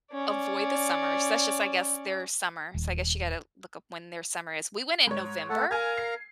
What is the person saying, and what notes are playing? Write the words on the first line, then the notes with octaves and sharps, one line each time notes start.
avoid the summer, so that's just, I guess, their summer. So I guess you gotta look up when their summer is. We went in November,
C#4 D5
D#1
G#2 C#5
A3 A4 F#5
A#4 F5 G#5 A#5 G#6
C7